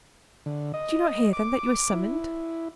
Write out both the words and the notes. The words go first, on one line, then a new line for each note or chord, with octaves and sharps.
"Did you not hear, then, that you were summoned?"
D3
D#5
D6
E4